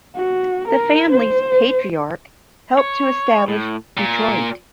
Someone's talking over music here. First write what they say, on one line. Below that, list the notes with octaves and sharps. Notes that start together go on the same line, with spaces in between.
The family's patriarch helped to establish Detroit.
F#4
A#4
C5
C#5
A2
A#2